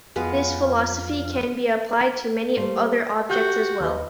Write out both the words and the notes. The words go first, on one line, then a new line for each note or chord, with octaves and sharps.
This philosophy can be applied to many other objects as well.
F2 G#3 B3 F4 B4 F5
G3 A3 A#3 C5
F#4 G4 G6
D#2 B4 D#5